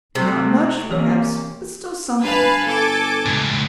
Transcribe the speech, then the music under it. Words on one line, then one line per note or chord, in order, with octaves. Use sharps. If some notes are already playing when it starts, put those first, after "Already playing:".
"Not much, perhaps, but still something."
C3 A3 C4 F#4
E3 A#3 C#4 G4 C#5
G2 B4 F5 G#5 A5
G1 A4 D6
C#2 A2